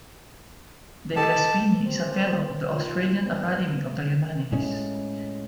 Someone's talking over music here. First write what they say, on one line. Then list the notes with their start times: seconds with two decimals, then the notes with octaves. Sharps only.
De Crespigny is a Fellow of the Australian Academy of the Humanities.
1.16 G4 A4 D#5 A5
1.84 C4 G4 C5
2.69 D#2 A#2 F3 C5
3.24 G2 A#2 C4
4.52 A2 G#3 C#4